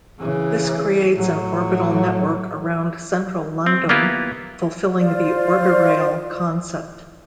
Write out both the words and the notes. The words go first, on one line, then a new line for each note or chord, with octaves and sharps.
This creates an orbital network around Central London, fulfilling the Orbirail concept.
C#3 E3
A2 F#3
C4
A#3 B3 E4 F4 G4
F4 C5 D5